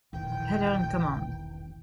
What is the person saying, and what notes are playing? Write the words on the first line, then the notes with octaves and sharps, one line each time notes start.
Eller in command.
E1 A#1 D#3 E3 G5